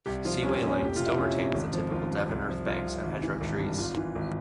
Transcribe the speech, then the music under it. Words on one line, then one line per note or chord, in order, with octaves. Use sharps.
Seaway Lane still retains the typical Devon earth banks and hedgerow trees.
C2 G4
F3 F4
C2 C#4
C4
A#2 C#4
F1 G4
C3 F4
E4
F1 C#4
F2
G#1
F3
G#1 F4
G2
C2
F3
C2 F4
C3
G#1
E3
G#1
G2
G#1 F4
E3
G#1